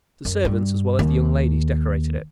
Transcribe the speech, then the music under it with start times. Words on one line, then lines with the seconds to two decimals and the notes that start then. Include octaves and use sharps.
The servants, as well as the young ladies, decorated it.
0.25 F#2
0.45 G2
0.99 D#2